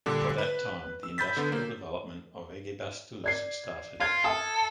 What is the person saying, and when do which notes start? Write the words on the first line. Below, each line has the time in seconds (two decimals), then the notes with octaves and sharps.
From that time the industrial development of Ekibastuz started.
0.06 A#2 D3 G3 D4
0.38 B4
1.03 E6
1.18 B5 G6 A6 B6
1.37 D3 B3
1.52 A#3
3.24 D5 G#6 C7
4.00 F4 F6 G#6
4.24 A4 E5 A5 D#6